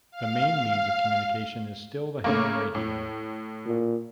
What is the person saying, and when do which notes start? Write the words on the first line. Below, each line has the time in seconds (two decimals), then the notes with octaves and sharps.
The main means of communication is still the ham radio.
0.11 F5
2.24 C#3 A3 A#3
2.75 A2
3.66 A#2